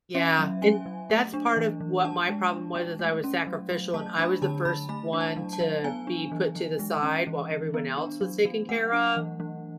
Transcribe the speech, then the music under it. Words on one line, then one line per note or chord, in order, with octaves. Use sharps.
Yeah. And that's part of what my problem was, as I was sacrificial and I was the first one to be put to the side while everyone else was taken care of.
C#4 E5
F#3
C#4 G#5
F#3
A3
D4
E3
E3
D4 A5
G#3
D4
G#3
A3
C#4
F#3
F#3
A3 A5
D4 B5
D3 A5
D3 B5
A3 B5
D4
A5
F#3
A5
F#3
B3 G#5
D4
E3
E3
G#3
C#4
E3
E3
B3
D4
F#3
F#3
A3 F#5
D4
E3
E3